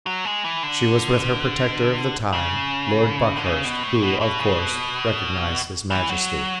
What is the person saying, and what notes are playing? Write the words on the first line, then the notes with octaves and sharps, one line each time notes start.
She was with her protector of the time, Lord Buckhurst, who, of course, recognized his majesty.
F#3
G#3
E3
D3
C#3
D3
C#3
B2
A2
B2
B2
C#3
B2
E3
F#3